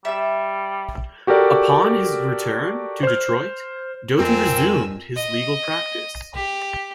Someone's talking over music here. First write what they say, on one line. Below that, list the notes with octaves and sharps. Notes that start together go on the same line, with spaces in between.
Upon his return to Detroit, Doty resumed his legal practice.
G3 E5 E6
F#4 G4 A4 A#4 D5
C5 F6
F2 C4 F4 A#4 G#5 E6
D#5
G4